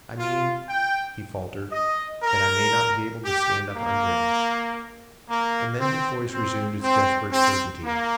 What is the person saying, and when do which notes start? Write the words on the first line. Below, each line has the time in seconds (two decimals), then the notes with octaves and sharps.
'I mean,' he faltered, 'that I may not be able to stand up under it.' And then his voice resumed its desperate certainty.
0.19 F4
0.70 G5
1.72 D#5
2.23 A#4
3.25 G4
3.76 A#3
5.29 A#3
5.80 C4
6.31 C4
6.82 C4
7.33 C4
7.84 A#3